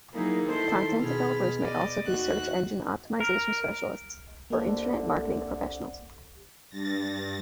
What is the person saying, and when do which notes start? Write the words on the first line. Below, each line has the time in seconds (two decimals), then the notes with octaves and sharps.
Content developers may also be search engine optimization specialists, or Internet marketing professionals.
0.13 F#3 A#3 D#4 E4 G#4
0.46 D#3 E4 A4 C5 C6
1.00 B2 G#4 B5 F6
1.61 D5 D#5
2.05 D#2 F#4 F#6
3.20 A#4
4.50 C2 D3 A#3 A4
6.69 G2 A6 A#6